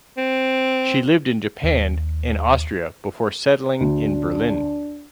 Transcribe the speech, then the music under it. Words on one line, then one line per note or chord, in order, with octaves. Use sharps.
She lived in Japan and Austria before settling in Berlin.
C4
D#2
D2 D4